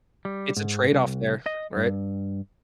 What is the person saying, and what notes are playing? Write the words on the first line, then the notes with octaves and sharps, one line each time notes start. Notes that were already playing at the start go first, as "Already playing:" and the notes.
it's a trade-off there, right?
G3
G#2
C2
D#5
G2